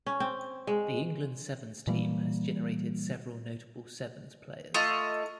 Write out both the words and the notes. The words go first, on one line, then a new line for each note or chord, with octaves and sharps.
The England Sevens team has generated several notable sevens players.
C#4
C4
G#3
A#2 E3 G3 A#3
A3 F4 D#5